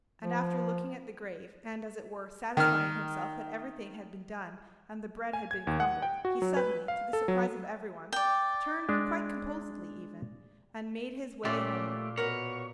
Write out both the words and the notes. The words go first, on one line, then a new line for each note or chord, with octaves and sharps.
And after looking at the grave, and as it were, satisfying himself that everything had been done and the bread had been crumbled, he suddenly, to the surprise of every one, turned, quite composedly even, and made his way homewards.
F3
D#3 F6
G#5
G#6
D#2
F#5
G5
F#4
F#3
B4
F5
A4
F#3
D5 G5
G#3 D4
A#2 A3 C#4 F4 G4
B2 A#4 C#5 F#5 B5